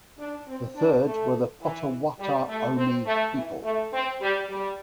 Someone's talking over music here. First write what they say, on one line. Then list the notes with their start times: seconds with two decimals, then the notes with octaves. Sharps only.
The third were the Potawatomi people.
0.19 D4
0.47 C4
0.76 D4
1.05 A3
1.62 E3
2.20 G3
2.49 A3
2.77 C4
3.06 A3
3.34 E3
3.63 A3
3.92 C4
4.21 G3
4.50 G3